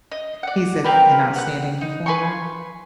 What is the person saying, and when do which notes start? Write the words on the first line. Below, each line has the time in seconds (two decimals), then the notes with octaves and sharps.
He's an an outstanding performer.
0.11 D#5
0.43 D5 F#5
0.84 C4 G4 A#4 B4
1.36 F#5 F#6
1.81 D#4
2.06 B4 G#5 C6 C#6